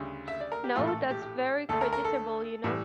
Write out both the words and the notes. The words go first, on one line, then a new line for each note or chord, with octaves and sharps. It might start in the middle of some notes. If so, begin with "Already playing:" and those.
Now that's very creditable, you know.
Already playing: D2 C#3 G3
E5
D5
A#4
G4
A#1 A2 E3 A3 F4
A4
G4
G4
D2 D3 A3 A4
A#4
A#4
A4
A2 E3 G3